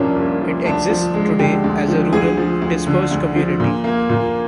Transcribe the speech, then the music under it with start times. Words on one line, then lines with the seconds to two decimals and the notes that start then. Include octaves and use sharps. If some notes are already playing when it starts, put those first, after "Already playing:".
It exists today as a rural, dispersed community.
Already playing: C2 A#2 F3 A#3 C#4 D4 E4 F4
0.16 C2
0.41 F3
0.65 D2 D4
0.90 F3
1.14 G#3
1.39 D3 G4
1.64 D2
1.88 F3
2.13 D2 G#4
2.37 F3
2.62 D2
2.87 D3
3.11 D2
3.36 F3
3.60 A#2
3.84 A#3
4.09 A#2